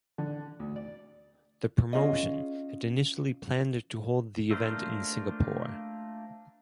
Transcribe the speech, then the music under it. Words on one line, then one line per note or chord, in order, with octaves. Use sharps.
The promotion had initially planned to hold the event in Singapore.
D3
D2
D5
C#4 F4 G#4 D#5
A3 A#3 D4 F4 C5